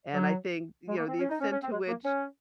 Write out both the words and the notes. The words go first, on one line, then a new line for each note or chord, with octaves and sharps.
and I think, you know, the extent to which
F#3
G#3
A#3
C4
C#4
D#4
C#4
C#4
C4
G#3
A#3
C#4